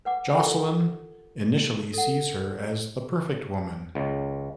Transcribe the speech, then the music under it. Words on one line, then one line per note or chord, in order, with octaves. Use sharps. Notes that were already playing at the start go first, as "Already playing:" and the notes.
Jocelin initially sees her as the perfect woman.
B4 F#5 D6
F4 G4 A4 A#4 C5 F#5
A4 F#5
C#2